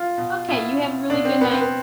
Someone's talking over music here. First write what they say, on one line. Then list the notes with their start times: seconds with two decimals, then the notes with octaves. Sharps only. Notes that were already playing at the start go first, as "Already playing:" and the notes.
Okay, you have a really good night.
Already playing: F4
0.18 B2
0.48 B2 E4
0.79 B2
1.10 B2 D4
1.25 C4
1.41 B2 B3
1.51 C4
1.60 B3